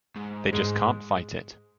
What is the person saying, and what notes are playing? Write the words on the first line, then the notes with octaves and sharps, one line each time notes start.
They just can't fight it.
G#2
G#2 G#3